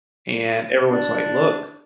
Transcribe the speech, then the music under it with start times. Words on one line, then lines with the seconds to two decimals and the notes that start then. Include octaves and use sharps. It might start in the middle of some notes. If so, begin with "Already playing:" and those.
and everyone's like, "Look,
0.87 D4